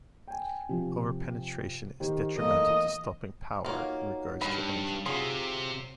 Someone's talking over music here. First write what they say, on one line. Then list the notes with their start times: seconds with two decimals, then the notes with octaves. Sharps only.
Over-penetration is detrimental to stopping power in regards to energy.
0.28 G5 G#5
0.69 C3 F3
2.00 D#3 G4 C5
2.37 E3 A3 A#3 D#5 F5
3.65 A#3 D#4 F4 F#4 C#5
4.42 G2 B5
5.06 C3 F#3 F4 G#4